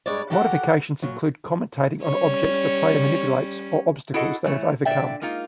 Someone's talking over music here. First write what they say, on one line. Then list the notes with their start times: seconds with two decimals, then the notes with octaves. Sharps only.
Modifications include commentating on objects the player manipulates or obstacles they have overcome.
0.06 G2 G#3 C#5 D5
0.30 F#4 G4 A4 A#4 D#5 F#5
1.02 A#2 F#3
2.04 G3 C#4 C#5
4.14 E4 F#4 G#4 A4 D#5 F#5
4.44 E3 A3 E4 C#5
4.85 A#2 D3 D5 E5 G5
5.22 G#3 A#3 D#4 F4